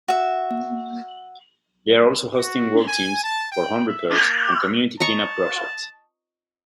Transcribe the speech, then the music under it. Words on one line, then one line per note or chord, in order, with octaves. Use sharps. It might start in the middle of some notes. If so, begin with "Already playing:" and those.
They are also hosting work teams for home repair and community clean-up projects.
F#4 E5
F#4
G#5
A5
G5
E5
A#3
D#5 A5 A#5 C#6